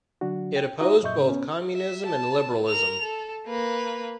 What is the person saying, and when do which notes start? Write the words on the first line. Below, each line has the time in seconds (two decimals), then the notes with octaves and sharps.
It opposed both communism and liberalism.
0.21 D3 F#3 D4 F#4
0.56 G5
0.80 D#4 F#4 E5 A#5 D#6
1.03 F#2 A#2 D#5 E5 C#6 G6
1.16 A2 C#3 C#4
1.29 B3 C#4
1.74 E5
2.06 A5
2.68 A#4 F7
3.02 A4
3.47 A#3 B4